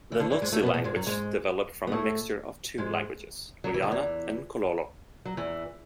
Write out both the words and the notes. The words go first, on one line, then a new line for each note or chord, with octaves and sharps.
The Lozi language developed from a mixture of two languages: Luyana and Kololo.
E3
D2 D3
E2 E3
G#2 G#3
A2 A3
B2 B3
B2 B3
G#2 G#3
F#2 F#3
G#2 G#3
B3
A2 A3
G#2 G#3
F#3
E3
D3
E2 E3
F#3
E2 E3